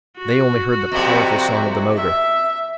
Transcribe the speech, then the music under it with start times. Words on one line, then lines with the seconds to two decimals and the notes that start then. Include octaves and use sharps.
They only heard the powerful song of the motor.
0.17 F#4
0.92 F2 C3 C4 D5 A#5
1.96 E5